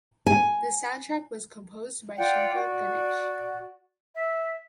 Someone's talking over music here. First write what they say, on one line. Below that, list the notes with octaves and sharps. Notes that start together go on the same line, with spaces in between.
The soundtrack was composed by Shankar–Ganesh.
G#5
F4 D5 F#5 G5
F#4 D5
E5